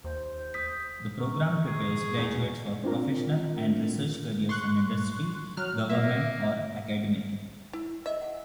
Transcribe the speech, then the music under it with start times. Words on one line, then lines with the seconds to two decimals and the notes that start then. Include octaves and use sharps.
The program prepares graduates for professional and research careers in industry, government or academe.
0.04 D#2 C5
0.54 D#6 G6 B6
1.20 A#4 C#6
1.66 G#4
2.17 E2 G#2
2.84 C4 D4 F4 A#4
4.49 C6 C#6 F#6
5.57 F#3 F6 F#6
5.90 A#3 E5
7.73 E4
8.06 D#5 E5
8.21 F#5 G#5